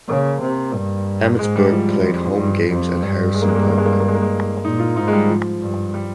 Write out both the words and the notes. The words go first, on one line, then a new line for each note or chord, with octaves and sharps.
Emmetsburg played home games at Harrison Park.
C#3 A#3
C3
G2
G#2 G#3
G3
F3
G3
F2 G3
G2
F2
G2
G#3
A#3
G#3
A#3
G#3
A#3
G#3
A#3
G#3
A#3
G#3
A#3
G#3
A#2 D#4
F4
G#2 D#4
G#3
G3
F3
G2
G3